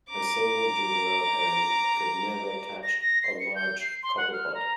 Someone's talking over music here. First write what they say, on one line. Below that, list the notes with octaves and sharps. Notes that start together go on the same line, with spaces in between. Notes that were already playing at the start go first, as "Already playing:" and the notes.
A single juvenile herring could never catch a large copepod.
A#5 D6
A#6
A#6
C7
C#7
G6
C7
C6
F#5
F6
A#5